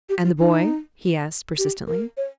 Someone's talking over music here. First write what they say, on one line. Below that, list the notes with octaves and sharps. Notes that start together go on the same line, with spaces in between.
"And the boy?" he asked, persistently.
G4
F4
D#4
G4
A#4
C#5